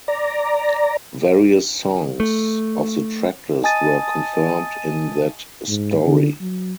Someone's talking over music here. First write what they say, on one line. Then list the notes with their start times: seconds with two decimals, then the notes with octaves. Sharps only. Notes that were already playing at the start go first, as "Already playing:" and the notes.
Various songs of the tracklist were confirmed in that story.
0.08 D5 A#5
2.20 A3
3.63 D#5 G#5 A5 D#6 A6 D#7
5.68 G#2
6.06 D3
6.40 F#3